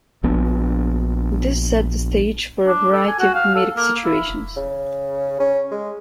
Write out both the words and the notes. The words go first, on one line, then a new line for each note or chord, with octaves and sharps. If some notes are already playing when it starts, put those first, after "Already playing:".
This set the stage for a variety of comedic situations.
A#1 B3 D4
D4
A4
G#5
F#4
F5
A4
A#3
E4
C#3
C#4
G#3